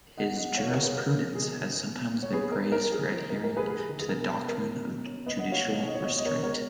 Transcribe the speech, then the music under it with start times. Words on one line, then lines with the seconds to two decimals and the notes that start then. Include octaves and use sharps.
His jurisprudence has sometimes been praised for adhering to the doctrine of judicial restraint.
0.18 B3 D#5 F#5
0.37 B3 D#5 F#5
0.57 F3 C#5 F5
0.70 A#4 C#5
0.77 B3
0.84 G#4 B4
0.96 C#4 A#4
1.16 G#3
1.35 B2 G#4
1.54 B2
1.74 B3
1.94 B3
2.13 B3
2.23 C#5
2.33 B3 G#4 B4
2.52 C#4 A#4
2.72 C#4 A#4
2.92 F3 G#4
3.11 F3
3.30 G#3 A#4
3.44 A#4
3.50 G#3
3.57 G#4 B4
3.69 G#3 G#4
3.89 D#3
4.00 G#4
4.08 B2 A#4
4.29 B2
4.47 C#4 A#4
4.67 B2
4.86 B2
5.06 C#4
5.26 A#3 B4 D#5
5.39 D#5 F#5
5.46 A#3
5.52 C#5 F5
5.65 B2 C#5
5.72 D#5
5.81 C#5
5.85 B2 D#5
5.95 C#5
6.02 B2 D#5
6.10 C#5
6.18 D#5
6.24 B2 A#4 C#5
6.43 G#3 A#4 C#5